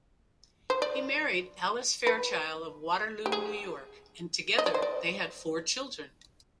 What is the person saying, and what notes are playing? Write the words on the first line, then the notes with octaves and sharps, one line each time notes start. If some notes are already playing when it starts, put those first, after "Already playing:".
He married Alice Fairchild of Waterloo, New York, and together they had four children.
C5
D5
B4
G4
G#4
D#5
D5
C5
D5